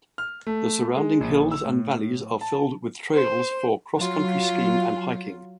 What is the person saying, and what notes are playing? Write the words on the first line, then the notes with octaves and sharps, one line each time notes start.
The surrounding hills and valleys are filled with trails for cross-country skiing and hiking.
F6
A3
G#3
A#1
E6
A2
A5
C5
F#3 F4